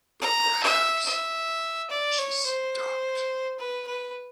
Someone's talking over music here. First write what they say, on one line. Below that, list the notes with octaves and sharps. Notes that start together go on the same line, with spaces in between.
"But perhaps — " She stopped.
A#5
E5
E5
D5
C#5
C5
B4
B4